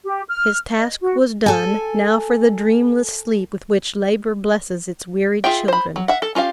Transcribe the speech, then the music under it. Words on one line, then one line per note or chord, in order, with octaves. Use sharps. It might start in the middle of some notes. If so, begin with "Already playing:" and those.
His task was done; now for the dreamless sleep with which labor blesses its wearied children!
G4
F6
D#5
F#4
A4 G#5
F4 G#4 E5 G5
C5 B5
F#3
E5 F#5
A4
C#4 F4 G4 F5